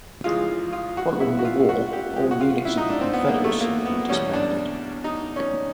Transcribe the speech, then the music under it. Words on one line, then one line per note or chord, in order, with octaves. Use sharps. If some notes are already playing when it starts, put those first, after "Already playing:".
Following the war all units of the Confederacy were disbanded.
F2 C#3 E3 G#3 F4
F4
F#4
E4
F#4
F4
F#4
G4
A2 F3 G#3 G4
F#4
F4
E4
D#4
D4
C4
B3
A#3
A3
A#3
B3
E2 B2 G3 C#4
D4
D#4
C#4